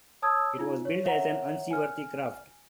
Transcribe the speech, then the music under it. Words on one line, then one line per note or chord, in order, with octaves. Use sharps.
It was billed as an unseaworthy craft.
C#5 A5 D#6 E6 G#6
D#4 F4
C#5
C#5 E5 F#5 A#5
G#5 F6